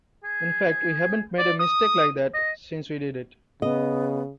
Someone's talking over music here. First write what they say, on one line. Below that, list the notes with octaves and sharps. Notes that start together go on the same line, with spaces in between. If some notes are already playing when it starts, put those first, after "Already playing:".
In fact, we haven't made a mistake like that since we did it.
G#4
D5
D#6
D#5
C#3 B3 D#5